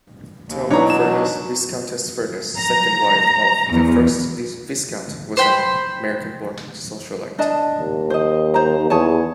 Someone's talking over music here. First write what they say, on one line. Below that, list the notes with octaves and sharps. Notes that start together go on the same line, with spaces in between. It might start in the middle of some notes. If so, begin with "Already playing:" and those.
Thelma Furness, Viscountess Furness, second wife of the first Viscount, was an American-born socialite.
D#2
B2 E3 F#3 D4 D#4 C#5 A#5
E7
A#5
E2
C5 G5 B5
D4 D#5 A5
D#2
C5 D#5
C5 A#5
E2 G#4 C#5 A5